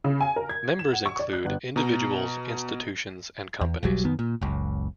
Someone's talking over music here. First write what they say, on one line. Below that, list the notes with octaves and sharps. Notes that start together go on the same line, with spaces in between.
Members include individuals, institutions and companies.
C#3
G#5
A#4
G#6
E7
F#5
C#6
D5
F#6
G1
B2 A#5
E2
E1 B1 F#3 G3
F#2 D#3 B3
A#2
F#1 C#2